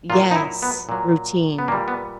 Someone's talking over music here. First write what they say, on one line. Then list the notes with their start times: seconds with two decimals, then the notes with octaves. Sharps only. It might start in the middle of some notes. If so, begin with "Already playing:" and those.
Yes. Routine.
0.10 A#2 F#3 F4
0.31 D#4
0.36 E4
0.62 B3
0.89 A#2 F#3
1.58 B3
1.68 A#2 G3 A#3
1.88 B3